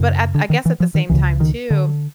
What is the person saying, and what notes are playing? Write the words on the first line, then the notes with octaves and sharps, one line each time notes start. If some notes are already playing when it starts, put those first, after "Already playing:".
but I I guess at the same time too,
Already playing: F#2 C#3
D3
D#3
E3
F3
D#3
C#2 C#3 E3
D#3
D3